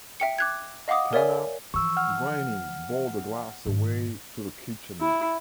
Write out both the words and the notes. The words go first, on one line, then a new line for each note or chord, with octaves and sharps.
Tana, grinning, bore the glass away to the kitchen.
E5 G5 C#7
D6 F#6 G#6
D#5 F5 F#5 D6 D#6
A#4 C#5 D5 E5 G#5
E3 F3 C#6 E6
F#5 F6
G#2 D#3
E4